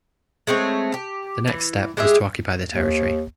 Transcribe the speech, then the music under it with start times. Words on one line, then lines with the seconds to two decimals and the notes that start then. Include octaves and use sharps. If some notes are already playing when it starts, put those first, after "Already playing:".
The next step was to occupy the territory.
0.47 G#3 A3 C4 C#5
0.94 G4
1.47 E3
1.97 G#3 G4 G#4 E5
2.71 D#2